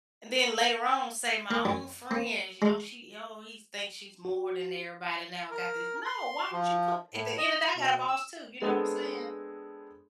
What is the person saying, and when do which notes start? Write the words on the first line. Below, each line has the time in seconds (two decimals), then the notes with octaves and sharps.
and then later on, say, "My own friend, oh, she oh, he thinks she's more than everybody now, got this." No. Why would you put at the end of that, I got a boss too, you know what I'm saying?
1.51 A#3
1.65 F#2
2.11 A#3
2.62 G#3
4.25 F#4
5.51 A#4
6.06 C6
6.52 F3
7.14 A2
7.38 D#5
7.76 B2
8.08 E6
8.62 G#3 B3 C4 D4 G#4 A4